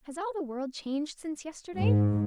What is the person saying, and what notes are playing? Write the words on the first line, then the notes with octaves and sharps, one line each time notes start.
Has all the world changed since yesterday?
G#2